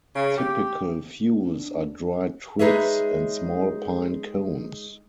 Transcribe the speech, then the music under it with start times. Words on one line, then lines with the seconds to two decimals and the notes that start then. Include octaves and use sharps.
Typical fuels are dry twigs and small pine cones.
0.15 C#3
0.38 G4
1.32 D4
2.59 G#3 D#4 G#4 B4 C#5 E5